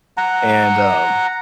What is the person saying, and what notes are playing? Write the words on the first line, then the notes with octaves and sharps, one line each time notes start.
and, um,
F#5 A#5